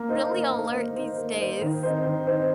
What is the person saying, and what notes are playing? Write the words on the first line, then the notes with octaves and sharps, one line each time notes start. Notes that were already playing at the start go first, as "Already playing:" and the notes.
really alert these days,
Already playing: A#3
D#4 C5
A#3
D#4 C5
A#3
D#4 C5
A#3
D#4 C5
D#3
C4 D#4 C5
D#3
C4 D#4 C5